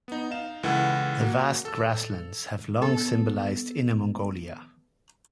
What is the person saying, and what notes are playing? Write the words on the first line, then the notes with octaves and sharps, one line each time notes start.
The vast grasslands have long symbolised Inner Mongolia.
B3 D#4
D#4 F5 E7
C#2 E3 E4 A4 F#5
A#3 F#4
A4 E6
B3 A4